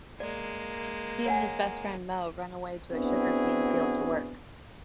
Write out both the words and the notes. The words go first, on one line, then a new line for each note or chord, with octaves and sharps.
He and his best friend Moe run away to a sugarcane field to work.
G#3 A#3 D5
C#5 F#5 G#5
B3 C4 D4 E4 F#4 G#4